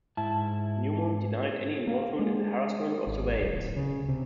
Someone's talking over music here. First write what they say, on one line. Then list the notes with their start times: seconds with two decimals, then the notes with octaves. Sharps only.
Newmont denied any involvement in the harassment or surveillance.
0.17 G#2 E4 A5
1.87 A#3
2.19 G#3
3.07 G#1
3.40 D1
3.77 C#3
4.09 C3